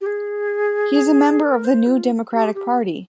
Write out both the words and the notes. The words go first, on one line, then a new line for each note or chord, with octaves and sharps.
He is a member of the New Democratic Party.
G4
G#4
A#4
C5
F4
G4
G4